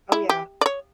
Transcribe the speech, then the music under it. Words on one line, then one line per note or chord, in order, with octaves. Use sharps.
Oh, yeah.
E4
G4
D5
C#5